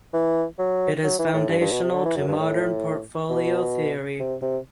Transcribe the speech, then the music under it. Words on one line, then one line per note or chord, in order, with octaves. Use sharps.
It is foundational to Modern portfolio theory.
E3
F#3
F#3
E3
A2
G2
G2
B2
C3
D3
E3
F#2
G2
A2
B2
C3
C3